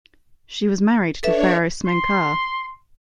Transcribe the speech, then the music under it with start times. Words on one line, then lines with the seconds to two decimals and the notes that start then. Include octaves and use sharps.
She was married to Pharaoh Smenkhare.
1.23 D4 A4 B4 C#5 E5
1.86 C6